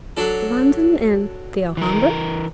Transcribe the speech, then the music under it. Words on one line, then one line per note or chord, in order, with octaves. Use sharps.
'London and the Alhambra!'
F#3 D4 A4
E3 A#4